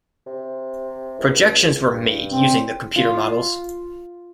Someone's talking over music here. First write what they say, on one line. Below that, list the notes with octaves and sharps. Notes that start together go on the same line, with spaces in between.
Projections were made using the computer models.
C3
C#2
G2
C4
F4